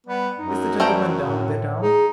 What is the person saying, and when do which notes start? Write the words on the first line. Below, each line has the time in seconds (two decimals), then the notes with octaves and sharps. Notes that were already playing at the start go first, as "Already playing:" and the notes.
"Is the gentleman down in the town?"
0.07 G3 B3
0.39 F#2 D#4
0.80 E3 F3 G3 A3 G5 A#5
1.24 A2
1.82 D#4 G#4